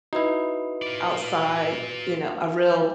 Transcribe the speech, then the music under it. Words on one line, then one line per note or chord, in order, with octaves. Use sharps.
outside, you know, a real
D#4 E4 F#4 B4
F4 D5